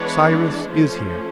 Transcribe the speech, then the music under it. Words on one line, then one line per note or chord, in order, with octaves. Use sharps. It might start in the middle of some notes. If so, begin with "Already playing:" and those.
"Cyrus is here!"
Already playing: E3 G#3 B3 D4 B4 C#5
F3 A3 C#4